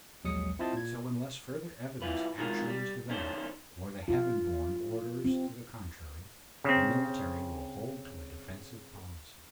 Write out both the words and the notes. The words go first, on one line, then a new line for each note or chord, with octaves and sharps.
So unless further evidence actually is developed, or the Heaven-Born orders to the contrary, the Military will hold to a defensive policy.
A#1 D#2 F#3 G#3 D#6 C#7
C4 E4 F4 C5 D#5 A5
A#2 G#6
C2 E4 F4 B4
D#3 E3 G#3 F4 F#4 A#4
G3
B1 D#3 C#4 D4 A4 C5
F4
C4
C#3 C4